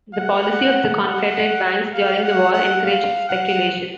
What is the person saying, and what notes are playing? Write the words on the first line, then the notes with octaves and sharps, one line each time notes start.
The policy of the Confederate banks during the war encouraged speculation.
F#5
F#5
F5
F#5
F#5
F5
F#5